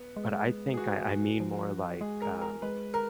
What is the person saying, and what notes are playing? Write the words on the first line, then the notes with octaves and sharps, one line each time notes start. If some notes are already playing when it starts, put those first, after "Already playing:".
But I think I I mean more like, um,
Already playing: B3
G#3
G#4
F#4
F3
G#3 G#4
A#4
A#4
G#3 B4
A#4